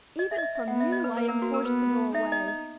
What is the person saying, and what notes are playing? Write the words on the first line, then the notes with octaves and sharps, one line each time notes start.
Even from you I am forced to go away.
D#5
E5
D#5
E5
E5
B3 F#5
E5
D#5
B4
A#3 B4
A#4
F#4
A#4
B3 B4
D#4 E5
D#5
D#5